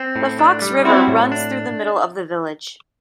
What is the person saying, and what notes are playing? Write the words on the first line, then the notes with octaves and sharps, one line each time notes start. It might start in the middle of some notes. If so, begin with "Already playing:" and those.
The Fox River runs through the middle of the village.
Already playing: C4
A2
D4
G3
C4 E4 F#4
A2
D4